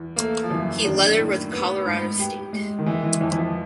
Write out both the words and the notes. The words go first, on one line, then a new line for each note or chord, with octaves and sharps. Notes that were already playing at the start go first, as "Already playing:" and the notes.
He lettered with Colorado State.
Already playing: E2
A3 A#3
F3
F#2 E3
D#3 D4
A2
B3
G#2
G4
G#3
D#3
E3 G#3
E3
F2 E3
E3
F3